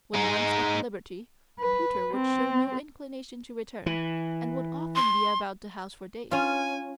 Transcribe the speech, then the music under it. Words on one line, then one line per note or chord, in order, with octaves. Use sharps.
When once at liberty Peter would show no inclination to return, and would often be about the house for days.
G#3 D#4
B4
C4
E3
C6
C#4 F4 G#5